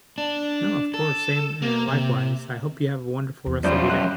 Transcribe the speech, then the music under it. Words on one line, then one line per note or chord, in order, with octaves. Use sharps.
No, of course same, eh, likewise, I hope you have a wonderful rest of your day.
D4
A4
A#3
C3
E2
F#2 F3 G3 F4 D5 G6
F#6